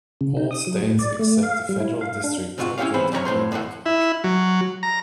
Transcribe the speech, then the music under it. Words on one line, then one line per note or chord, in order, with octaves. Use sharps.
All states except the Federal District operate a road network.
C#3
D#4
D#6
F#3
A2
D5
A3
F5
G3
E4
F5
D4
G#2 C3 F4 F#4
C#4 E4 F4 G4 C#5 F5
E3 B3 C4 B4 C5
F#2 C3 G4 C#5 A#5
F2 A2 C5 C6
A2 E3 A#3 F#5
E4
F#3
A#5